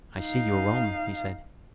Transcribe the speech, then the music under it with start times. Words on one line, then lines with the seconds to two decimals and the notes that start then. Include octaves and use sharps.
"I see you're on," he said.
0.17 D#4 F5